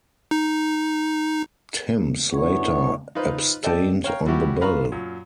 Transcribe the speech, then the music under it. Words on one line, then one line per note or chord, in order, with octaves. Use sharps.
Timms later abstained on the bill.
D#4
B3 D4 E4 C#5
D#4 F4 B4 C5
A4 D5 D#5 G5 A5
C#5 F5 G5 A#5
E3 F3 G3 E4 F#4 G4
F4 B4 F5 A#5 B5 C#6
F#2 A#2